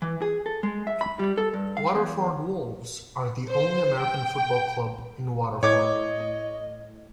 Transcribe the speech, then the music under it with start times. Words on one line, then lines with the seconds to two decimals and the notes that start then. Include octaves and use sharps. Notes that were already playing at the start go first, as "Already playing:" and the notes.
Waterford Wolves are the only American football club in Waterford.
0.02 E3
0.22 G#4
0.46 A4
0.63 G#3
0.87 E5
1.01 B5
1.19 G3
1.38 A4
1.53 G2
1.77 F5
1.94 E2
3.48 C5
4.00 G5
5.63 A2 C#5 D#5 D6 G#6